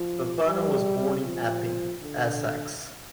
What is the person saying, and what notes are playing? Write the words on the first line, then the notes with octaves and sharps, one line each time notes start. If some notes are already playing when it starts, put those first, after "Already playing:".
Pappano was born in Epping, Essex.
Already playing: F3
G3
F3
D3